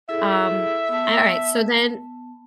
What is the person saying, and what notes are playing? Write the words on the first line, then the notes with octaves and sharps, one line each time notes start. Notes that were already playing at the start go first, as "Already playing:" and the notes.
Um, an all right, so then
E4 G#4 A4 E5
B3 A5